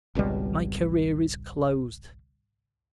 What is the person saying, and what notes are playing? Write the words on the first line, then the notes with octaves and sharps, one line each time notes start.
My career is closed.
G#1 C#2 B2 G3